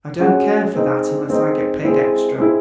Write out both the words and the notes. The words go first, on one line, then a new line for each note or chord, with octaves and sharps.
I don't care for that, unless I get paid extra.
G#3 C#4 F#4
G#3 C4 D#4
G#3 C4 D#4
G#3 C4 E4
G#3 C4 E4